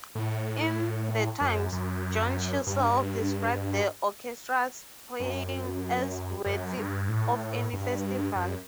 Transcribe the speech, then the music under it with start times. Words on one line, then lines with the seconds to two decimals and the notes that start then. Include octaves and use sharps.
In "The Times", Joan Chissell described the orchestra's playing as "worthy of any festival".
0.15 A2
1.41 F#2
1.72 F#2
2.67 G2
5.20 F#2
6.46 F#2
6.77 G2
7.09 A2
7.73 G2
8.36 F#2